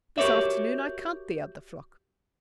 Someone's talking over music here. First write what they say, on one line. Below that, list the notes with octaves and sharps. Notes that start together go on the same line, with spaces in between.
This afternoon I count the other flock.
F#4 G4 A#4 C#5 D5 E5